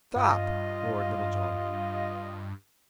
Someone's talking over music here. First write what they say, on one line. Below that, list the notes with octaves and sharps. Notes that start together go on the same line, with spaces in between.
"Stop!" roared Little John.
G2 F4 D#5